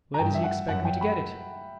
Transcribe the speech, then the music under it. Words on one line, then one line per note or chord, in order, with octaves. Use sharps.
Where does he expect me to get it?
A#5
G2 G5
E5
F#5
F#2 F#5
G5
B5